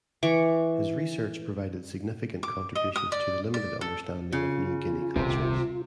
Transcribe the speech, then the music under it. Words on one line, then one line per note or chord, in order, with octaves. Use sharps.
His research provided significant contributions to the limited understanding of New Guinea cultures.
E3 C#6 D6
D6
D#5
D#6
D5
D5
A4
C#3 F4
D#1 C2 C3